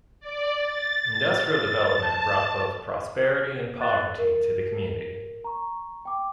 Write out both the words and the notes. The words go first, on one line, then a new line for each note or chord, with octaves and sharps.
Industrial development brought both prosperity and poverty to the community.
D5
A6
A5
F#6 A6
A#4
A#5 C#6
G5 D6